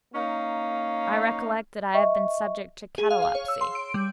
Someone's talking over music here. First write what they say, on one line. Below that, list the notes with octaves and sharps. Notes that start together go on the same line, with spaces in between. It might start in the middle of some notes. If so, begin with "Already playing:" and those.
I recollect that I have been subject to catalepsy.
A#3 C#4 D#4 F5
D#5 E5 C#6
G#4
F5
F5
C#5
E6
C6
D7
G3